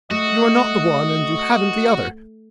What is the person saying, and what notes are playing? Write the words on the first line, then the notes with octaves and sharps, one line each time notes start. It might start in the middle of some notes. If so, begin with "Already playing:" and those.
But you are not the one and you haven’t the other.
A3 F#4 D#5